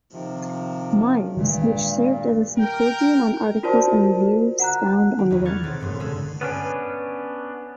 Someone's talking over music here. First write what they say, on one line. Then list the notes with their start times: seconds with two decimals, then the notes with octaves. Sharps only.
Myers, which served as a symposium on articles and reviews found on the web.
0.12 C3 D#3 F3
1.37 G2 A#2 D#3 G#3
2.58 A#4 G5
3.63 F4 F#4 A#4 C5 D5 A5
4.60 F#5 A#5 F#6
5.18 D#3
5.30 E2 E3
5.45 C#6 F6 F#6 G#6 A6 C#7
5.64 B1 C4 A6
5.80 G1 G2 A#2 G#3
6.00 D3 G#3 C#4 G#4 A4
6.41 B3 C#4 D4 B4 G#5